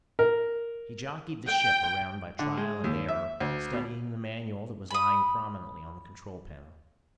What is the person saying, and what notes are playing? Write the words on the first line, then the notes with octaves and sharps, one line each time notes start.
He jockeyed the ship around by trial and error, studying the manual that was lying prominently on the control panel.
A#4
G5
D3
G#3
D#2
E5
D2
B2
B5 D#6